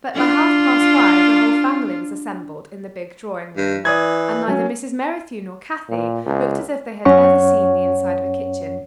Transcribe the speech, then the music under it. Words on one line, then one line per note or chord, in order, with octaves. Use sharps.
But by half-past five the whole family was assembled in the big drawing-room, and neither Mrs. Merrithew nor Kathie looked as if they had ever seen the inside of a kitchen.
D4 F4
G2
E3 D5 D#6 G#6
F#3 C#4
A#2
C#2
F#2 C#4 C#5 F#5 C#6